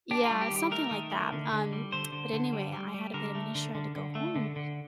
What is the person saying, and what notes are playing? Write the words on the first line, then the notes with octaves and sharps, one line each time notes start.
Yeah, something like that. Um, but anyway, I had a bit of an issue. I had to go home,
D4 G4
F4
G3
G4
D#3
G4
A3 A#4
D#3
A3
D3
D3
G3
D3 C5
D3
D3
G3
G3
G3
D3 A#4
A3
D3
D3
D3
A3
D3
D3